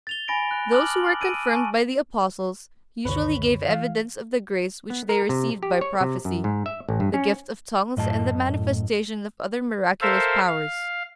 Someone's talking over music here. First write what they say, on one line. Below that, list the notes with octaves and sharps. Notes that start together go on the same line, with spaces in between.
Those who were confirmed by the Apostles usually gave evidence of the grace which they received by prophecy, the gift of tongues and the manifestation of other miraculous powers.
A6 F7 G7
G#5 B5 A6 A#6 D7
F#6
A5 D6 D#6 F6 F#6 F#7
E6 D7 D#7
G#5 A5 C#6
C#2 F#2 A#2 D3 D#3 B4 C#5
E3 F5
B3
A#4
C3
G4
C#5
C3
F#2
G#2
E5
A1
G2
C#4
F#2 A2 D#5 A5
A2
A4 A#4 C5 E5 F5
F5